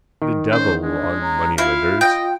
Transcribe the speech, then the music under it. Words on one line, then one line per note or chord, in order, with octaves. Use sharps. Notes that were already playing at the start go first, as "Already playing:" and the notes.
The devil on moneylenders.
D#3
C#4 C5
G#3 D4
C#4 A#5
E4 F4 F5
D#5 G5